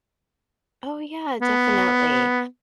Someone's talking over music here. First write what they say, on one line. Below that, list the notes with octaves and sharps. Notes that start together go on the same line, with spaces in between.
Oh, yeah, definitely.
B3